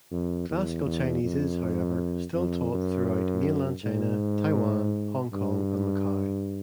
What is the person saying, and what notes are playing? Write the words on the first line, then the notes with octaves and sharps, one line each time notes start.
Classical Chinese is, however, still taught throughout mainland China, Taiwan, Hong Kong and Macau.
F2
E2
E2
F2
F2
F#2
G#2
G2